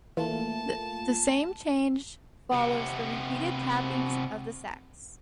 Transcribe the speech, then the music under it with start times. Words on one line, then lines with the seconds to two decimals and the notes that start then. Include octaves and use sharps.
The same change follows the repeated tappings of the sacs.
0.17 E3 A3 A#3 F4 A5
2.52 C3 B3